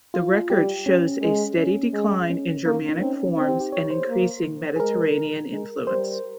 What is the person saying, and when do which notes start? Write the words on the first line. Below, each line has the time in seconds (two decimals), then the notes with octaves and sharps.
The record shows a steady decline in Germanic forms and increasing Mediterranean influence.
0.14 F4
0.50 G3 G4
0.86 C#4
1.22 G#3
1.58 C#4
1.93 G#3
2.30 C#4
2.66 A#3
2.89 D#4
3.01 C4 C#4
3.37 C4 D#4
3.49 G4
3.60 G4
3.72 C#5
3.90 C5
4.09 A#3
4.76 G#4
4.80 G#3 A#4
5.51 G#3
5.87 G3 C5